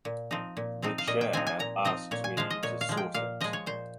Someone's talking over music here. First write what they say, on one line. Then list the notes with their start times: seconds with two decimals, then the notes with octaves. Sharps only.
The Chair asked me to sort it.
0.05 A#2
0.31 F3 C4 D#4
0.57 A#2
0.82 F3 C4 D#4
0.98 F5
1.07 A#2 D#5
1.21 G5
1.33 F3 C4 D#4 G#5
1.47 G#5
1.59 A#2 A#5
1.85 F3 C4 D#4 D#5
2.11 A#2 C#5
2.24 G#5
2.37 F3 G#3 F5
2.50 D#5
2.63 A#2 C#5
2.81 F5
2.89 F3 G#3
2.97 G5
3.14 A#2 F5
3.41 F3 G#3 D#5
3.53 C#5
3.66 A#2 C5